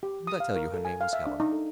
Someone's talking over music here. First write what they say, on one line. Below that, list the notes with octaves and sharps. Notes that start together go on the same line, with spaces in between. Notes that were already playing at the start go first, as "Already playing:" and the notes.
Didn't I tell you her name was Helen?
G4
D#6
F5
A#4
A4
G#5
F5
E5
D4
D#4
A4